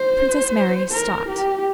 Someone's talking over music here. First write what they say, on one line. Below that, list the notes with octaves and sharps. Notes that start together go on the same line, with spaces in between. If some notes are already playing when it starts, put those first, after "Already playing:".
Princess Mary stopped.
Already playing: C5
A#4
G4